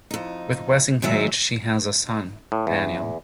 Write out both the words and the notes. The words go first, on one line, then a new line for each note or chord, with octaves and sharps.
With Wessinghage she has a son Daniel.
F2 D#4
G#2 D#3 F#3 E5
A2
E2